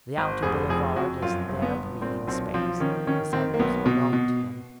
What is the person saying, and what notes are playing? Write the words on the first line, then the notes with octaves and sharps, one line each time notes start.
The outer boulevard is their breathing space; the suburbs belong to them.
G#1
F1 G#4
F2 G#4
F2 F#4
F#2 F4
G1
B3
G1
A#2 C4
B1 C4
F3 C4
D#3 C#4
D#3 C#4
D#3 C4
A#3
B1 B3
B2
B2